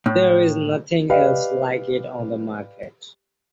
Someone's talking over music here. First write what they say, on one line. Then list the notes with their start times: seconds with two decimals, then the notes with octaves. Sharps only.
There is nothing else like it on the market.
0.06 A2
1.10 G4 B4 D5 D#5 F5